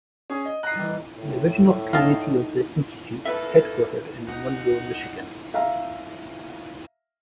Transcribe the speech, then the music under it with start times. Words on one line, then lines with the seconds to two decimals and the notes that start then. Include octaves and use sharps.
The original community of the institute is headquartered in Monroe, Michigan.
0.30 C#4 G#4
0.45 D#5
0.63 D#5 A#5 F#6 C7
0.75 E3 G3
1.17 A2
1.93 D#4 C#5 F5 A5
3.25 A#3 A4 B4 E5
4.28 D2 D#4 F#5
5.54 E5 F5 A#5